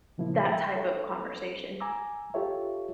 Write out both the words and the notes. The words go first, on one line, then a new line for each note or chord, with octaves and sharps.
that type of conversation.
A#2 C#3 F3 A#3 E4
E5 G5
A4 C#5
G#5 A#5 D6 E6
F4 G4 A4 C#5 E5